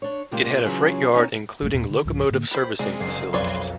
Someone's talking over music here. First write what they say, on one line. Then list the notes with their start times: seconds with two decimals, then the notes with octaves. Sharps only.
It had a freight yard including locomotive servicing facilities.
0.02 D4 C#5
0.31 A#2 C#3 G#3 A#3 F4 G4
0.65 C#3 E3 F#3 C#4 F4 G#4
1.14 B3 C#4 D#4 C#5 D#5 G#5
1.62 G#1 F#2 D#3 A3
1.74 D#2 A#2 C4
1.90 D3
2.05 C2 G#2 F3
2.30 A2 D3 A#3
2.51 G4 C5 B5
2.79 C3 G3 G#3 C4 D4 G#4
3.00 F#1 A6 C7
3.33 B1 F2 C#4 B4 C#5 D5 C6